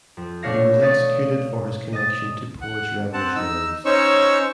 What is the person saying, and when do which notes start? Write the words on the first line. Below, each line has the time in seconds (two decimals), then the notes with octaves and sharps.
He was executed for his connection to Polish revolutionaries.
0.17 F2
0.43 B2 A3 D4 C#5 F5 A#6
0.82 C#6 D#6 A6 B6
1.93 D#5 D#6 A6
2.61 F#5
3.13 C4 F#5 A5
3.35 D#4 E6
3.85 C#4 D#4 C5 C#5 C#6 E6